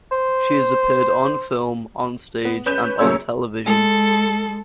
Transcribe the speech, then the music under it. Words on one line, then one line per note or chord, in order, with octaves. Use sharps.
She has appeared on film, on stage and on television.
C5
B3
C#4 B4 G6 E7
F#2 C#3 A#3 C#4 C#5 E6
G#3 A4